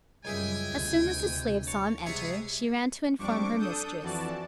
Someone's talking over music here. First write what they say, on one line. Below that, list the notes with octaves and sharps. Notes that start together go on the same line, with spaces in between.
As soon as the slave saw him enter, she ran to inform her mistress.
C#2 F#2 G3 G#4 E5 G5 G#5
D2 C3
C#5 A5
C3 G#3 B3 G#4 C#5 E5
F2 G3 D4 C#6 D6
D4 A4 D#6 G6
F2 E3 F#4 D5 A5